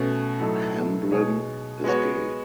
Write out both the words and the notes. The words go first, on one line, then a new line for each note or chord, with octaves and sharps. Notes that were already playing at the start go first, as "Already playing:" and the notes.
Hamblen is gay.
Already playing: B2 A3 C#4 F#4
A2 F#3 A3 D#4 A4
B2 G#3 D#4 G#4 C#5
G#3 B3 F#4 C#5